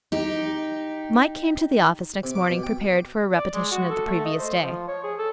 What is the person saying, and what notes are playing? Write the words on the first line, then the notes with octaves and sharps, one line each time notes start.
Mike came to the office next morning prepared for a repetition of the previous day.
D#4 G4
C3
D6
B2
G5
D5
G#3
F#4
A4
A3
D#5
C5
F3
C#5
G#4
A4